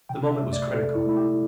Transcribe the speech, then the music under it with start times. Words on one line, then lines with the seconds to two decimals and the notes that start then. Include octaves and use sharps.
The moment was critical.
0.09 C3 G5
0.31 E5
0.42 A3
0.53 D5
0.67 G4
0.73 C3 A4
0.95 E4
1.06 A3 E4
1.17 G4